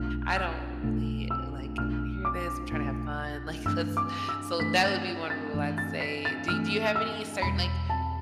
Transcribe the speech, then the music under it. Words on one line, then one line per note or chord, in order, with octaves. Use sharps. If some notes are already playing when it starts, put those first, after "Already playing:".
I don't really, like, wanna hear this, I'm trying to have fun, like, let's so that would be one rule, I'd say. Do do you have any certain like,
Already playing: B1 B2 A3 D4 F4 F6
E6
B1 B2 A3 D4 F4
E6
B1 B2 A3 D4 F4 F6
D6
B1 B2 A3 D4 F4
G2 E3 A3 D4 E6
D6
E6
G2 E3 A3 D4 B6
A6
A6
G2 E3 A3 D4
A6
B6
A6
G2 E3 A3 D4 F6
E6
E2 B2 G3 B5
A5